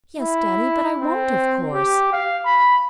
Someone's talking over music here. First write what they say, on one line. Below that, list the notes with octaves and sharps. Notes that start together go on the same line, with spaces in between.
"Yes, daddy; but I won't, of course."
E4
C4
G4
F5
B5